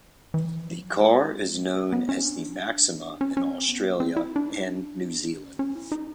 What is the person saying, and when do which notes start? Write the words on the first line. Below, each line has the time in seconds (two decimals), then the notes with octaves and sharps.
The car is known as the Maxima in Australia and New Zealand.
0.34 E3
0.65 F3
0.81 F#3
0.98 G#3
1.61 A#3
1.93 B3
2.09 C#4
2.25 D4
3.21 C#4
3.37 C#4
3.52 C4
3.68 B3
3.84 A#3
4.00 C4
4.16 E4
4.36 D4
4.48 D#4
4.64 D4
5.44 C#4
5.59 C#4
5.76 E4
5.92 D#4